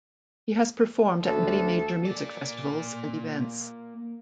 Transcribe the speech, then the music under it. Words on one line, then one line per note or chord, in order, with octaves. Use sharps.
He has performed at many major music festivals and events.
D2 A4
A#3 D5